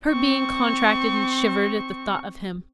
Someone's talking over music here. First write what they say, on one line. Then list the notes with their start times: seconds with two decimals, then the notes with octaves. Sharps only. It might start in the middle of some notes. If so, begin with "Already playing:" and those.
Her being contracted and shivered at the thought of him.
0.10 C4 C#6